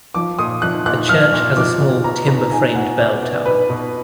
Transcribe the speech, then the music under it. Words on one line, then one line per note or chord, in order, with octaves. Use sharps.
The church has a small, timber-framed bell tower.
F3 D6
A#2 D#6
F3 F#6
A#2 F#6
F3 F6
A#2
F3 D6
A#2
B2 A#5
B2 A#5
B2 G#5
B2 F#5
B2 D5
B2
B2 B4
B2